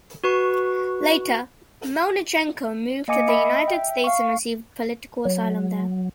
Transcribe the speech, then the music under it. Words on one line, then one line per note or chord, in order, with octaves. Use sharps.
Later, Melnychenko moved to the United States and received political asylum there.
F#4 B4 C#6
A#3 D#5 G#5 D6 C#7
D#5 E5 B5
E5 G5
F5 C#6
F#3